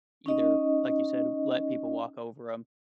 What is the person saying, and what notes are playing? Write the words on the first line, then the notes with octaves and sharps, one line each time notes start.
either, like you said, let people walk over them
C#4 D#4 D#5